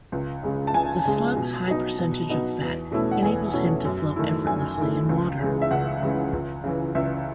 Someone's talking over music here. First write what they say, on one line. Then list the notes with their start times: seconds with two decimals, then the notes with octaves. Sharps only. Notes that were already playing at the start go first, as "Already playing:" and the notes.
The Slug's high percentage of fat enables him to float effortlessly in water.
0.12 C#2
0.43 C#3 G#3
0.67 A5
0.74 C#2 G#5
1.05 C#3 G#3
1.36 B2
1.68 F#3 B3 D#4
1.99 B2
2.30 F#3 B3 D#4
2.61 E2
2.91 B2 A3 C#4 E4
3.11 F#5
3.22 E2 G#5
3.53 B2 A3 C#4 E4
3.85 F#2
4.16 D#3 A3 E4
4.47 F#2 G#5
4.78 D#3 A3 E4
5.09 C#2
5.40 C#3 E3 G#3
5.62 E5
5.71 C#2 F#5
6.02 C#3 E3 G#3
6.33 C#2
6.64 C#3 E3
6.95 C#2 E5